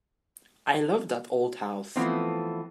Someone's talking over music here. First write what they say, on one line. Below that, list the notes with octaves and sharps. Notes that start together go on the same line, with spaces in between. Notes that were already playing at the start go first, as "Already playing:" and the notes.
I love that old house.
E3 F3 A3 B3 C4